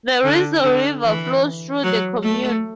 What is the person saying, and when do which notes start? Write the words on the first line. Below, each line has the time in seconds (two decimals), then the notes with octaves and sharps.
The Risle river flows through the commune.
0.24 D3
0.63 D3
1.03 E3
1.83 F#3
2.23 A3